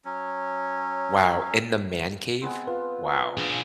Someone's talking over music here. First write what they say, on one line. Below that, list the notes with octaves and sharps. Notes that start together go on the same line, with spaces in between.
Wow! In the man cave? Wow!
F#3 C#4
G#3 B3 C4
F4 B4
D4 G#4